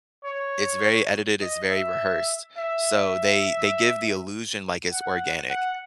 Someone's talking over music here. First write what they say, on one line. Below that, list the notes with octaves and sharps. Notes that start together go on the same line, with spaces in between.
It's very edited, it's very rehearsed. So, they they give the illusion like it's organic,
C#5
D#5
E5
E5
F#5
F#5